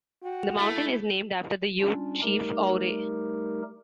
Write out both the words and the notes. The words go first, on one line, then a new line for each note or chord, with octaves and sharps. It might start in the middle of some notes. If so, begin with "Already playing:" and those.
The mountain is named after the Ute Chief Ouray.
F#4 G5
A3 E4
G3 C#4 D4 F4
G3 A3 D#4 G4 A#4